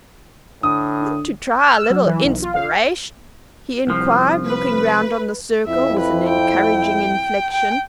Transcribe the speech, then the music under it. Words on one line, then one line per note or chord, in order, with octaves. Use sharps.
"Want to try a little inspiration?" he inquired, looking round on the circle with an encouraging inflexion.
A2 D3 D#6
F6
E6
F#3
E3
B1
F4
F5
C2 F3
B4
F2 C4 E4 E5
B4
G5
G5